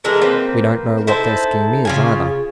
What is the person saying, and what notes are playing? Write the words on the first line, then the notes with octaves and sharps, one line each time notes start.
We don't know what their scheme is either.
E3 G#3 A4 A#4
A#3 C4 B4
D#4 E4 A4 C5
C#3 F4 G#5